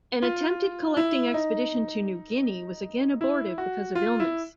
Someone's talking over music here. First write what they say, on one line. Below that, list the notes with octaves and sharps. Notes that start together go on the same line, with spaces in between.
An attempted collecting expedition to New Guinea was again abortive because of illness.
F4
E4
D#4
E4
F#4
F4
E4